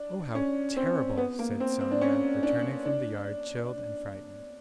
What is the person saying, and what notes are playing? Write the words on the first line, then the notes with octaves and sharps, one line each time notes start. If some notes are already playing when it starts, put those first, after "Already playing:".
"Oh, how terrible," said Sonya returning from the yard chilled and frightened.
Already playing: D4
C#4
C4
B3
A#3
C4
C4
D4
C#4
D4
D4